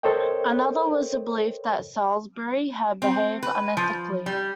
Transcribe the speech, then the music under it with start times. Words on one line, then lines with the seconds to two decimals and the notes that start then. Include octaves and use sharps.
Another was the belief that Salisbury had behaved unethically.
0.03 A4 A#4 C5 C#5 D#5 G5
3.02 C4
3.43 B4
3.77 F3
4.26 G3